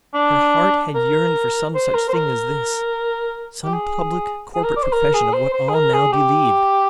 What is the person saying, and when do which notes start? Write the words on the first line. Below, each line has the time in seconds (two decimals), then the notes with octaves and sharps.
Her heart had yearned for some such thing as this--some public corporate profession of what all now believed.
0.14 D4
0.95 A#4
1.75 C5
1.94 A#4
2.08 C5
2.14 A#4
3.64 G4
3.74 G#4
4.54 G#4
4.63 A#4
4.77 D5
4.83 C5
4.93 A#4
5.14 G#4
5.33 C5
5.53 C5
5.69 G#4
5.74 A#4
5.93 G#4
6.13 G4